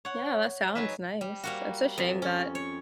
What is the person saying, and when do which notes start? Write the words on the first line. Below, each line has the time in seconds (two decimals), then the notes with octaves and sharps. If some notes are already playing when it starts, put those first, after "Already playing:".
Yeah, that sounds nice. It's a shame that
0.05 C#5 F#5
0.75 F#3 D#4 G#4 B4 E5
1.21 G3
1.43 G3 A#3 F#4
1.98 F2
2.22 C#4
2.55 C#5